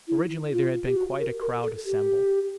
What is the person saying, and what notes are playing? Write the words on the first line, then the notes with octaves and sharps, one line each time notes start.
Originally there had been quite a crowd assembled.
E4
F4
G4
F#4
A#4
A#4
A4
G4